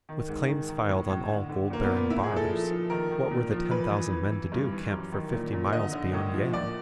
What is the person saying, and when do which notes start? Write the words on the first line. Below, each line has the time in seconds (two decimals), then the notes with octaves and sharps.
With claims filed on all gold-bearing bars, what were the ten thousand men to do camped for fifty miles beyond Yale?
0.09 D#3
0.29 G#2
0.48 D#3
0.68 D#3
0.89 A2
1.09 A2
1.29 D3
1.49 D3
1.70 A#2 A#3
1.83 B3
1.90 A#2
1.97 B3
2.10 A#2 E4
2.23 G#4
2.30 A#2
2.36 A4
2.49 F3
2.70 F3
2.90 D#3 A#4
3.11 D#3
3.31 A#2
3.50 F3
3.71 E3 B4
3.91 E3
4.12 E3
4.32 E3
4.52 G2
4.72 E3
4.92 F#2
5.12 D#3
5.32 A#2
5.53 A#2
5.72 D3 D#5
5.93 D3
6.13 A2
6.33 F3
6.53 A#2 D5